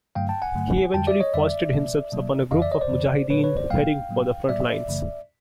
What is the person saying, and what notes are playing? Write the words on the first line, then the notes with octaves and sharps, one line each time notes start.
He eventually foisted himself upon a group of "mujahideen" heading for the front lines.
G2 D3 F#3 A3 F5 G5
G5 A5
F#5 G#5
G2 D3 F#3 A3
F2 D3 G3 G5 A5
D5 E5
C#5 D#5
F2 D3 G3 D5 E5
B2 F#3 A#3
B2 F#3 A#3
F2 C#3 E3 D#5 F5
D5 E5
C#5 D#5
C5 D5
F2 C#3 E3
A#2 F#3 A#3 B4 C#5
B4 C#5
C5 D5
A#2 F#3 A#3 F5 G5
A2 F#3 A#3
A2 F#3 A#3 D5 E5
F#2 C#3 E3 A3